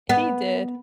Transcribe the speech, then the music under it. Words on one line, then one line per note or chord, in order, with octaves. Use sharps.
He did,
B3